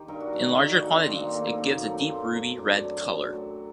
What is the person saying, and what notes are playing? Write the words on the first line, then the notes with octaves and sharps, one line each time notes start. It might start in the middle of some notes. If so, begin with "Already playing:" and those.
In larger quantities, it gives a deep ruby red colour.
Already playing: D#3 G4
G2 A#4
F#4
D#3 A3 F#4
F#4
G2 D#4
F#4
D#3 A3 D#4
C4
G2 A#3
C4
D#3 A3 A#3
A#3
F#2
F#3 A3
F#2 C4
F#3 A3
F#2 D4
F#3 A3
F#2
F#3 A3